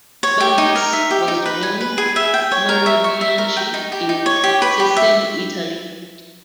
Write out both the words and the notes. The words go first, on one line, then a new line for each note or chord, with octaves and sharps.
Banks was born Mario Bianchi in Cesena, Italy.
C#5
G4
D#4
A#4
E5
G4
D#4
B4
G#5
B4
G#4
E5
G5
C#5
A#4
E5
C#6
E5
A#4
G5
D#4
G4
D#4
C#5
G4
B4
G4
E5